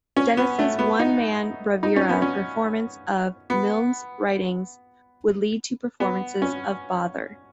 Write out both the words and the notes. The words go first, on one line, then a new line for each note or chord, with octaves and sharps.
Dennis's one-man bravura performance of Milne's writings would lead to performances of Bother!
C#4
B3
A3
B3
D#4
D#4
C#4
B3
C#4
B3
B3
C#4